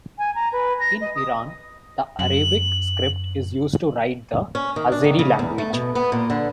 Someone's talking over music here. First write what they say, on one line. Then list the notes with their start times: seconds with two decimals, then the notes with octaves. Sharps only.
In Iran, the Arabic script is used to write the Azeri language.
0.18 G#5
0.34 A#5
0.52 B4
0.79 A#6
1.01 D#5
1.15 D#6
2.19 F#2 F#7
4.55 C#4
4.76 D#3
4.92 D4
5.04 D#3
5.19 C#3
5.39 E2
5.58 A3
5.73 B2
5.95 B3
6.12 A#2
6.30 D3